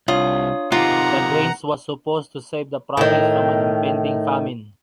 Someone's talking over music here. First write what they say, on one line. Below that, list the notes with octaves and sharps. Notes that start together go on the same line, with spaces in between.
The grains was supposed to save the Provence from an impending famine.
C2 D4 F4 C#5 D#6
C3 D#3 D#4 F4 F#5 A#5 D6
A2 D#3